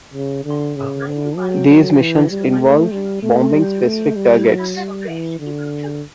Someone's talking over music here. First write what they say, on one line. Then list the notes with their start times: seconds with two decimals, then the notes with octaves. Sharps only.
These missions involve bombing specific targets.
0.14 C#3
0.45 D3
0.76 C#3
1.07 D3
1.36 F#3
1.68 F#3
1.99 E3
2.30 G3
2.61 A3
2.92 G3
3.23 A3
3.53 G3
3.84 A3
4.16 G3
4.46 F#3
4.77 G3
5.08 E3
5.39 D3